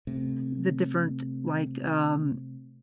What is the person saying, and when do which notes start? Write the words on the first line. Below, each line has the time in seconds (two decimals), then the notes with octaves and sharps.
the different, like, um
0.07 C3 A3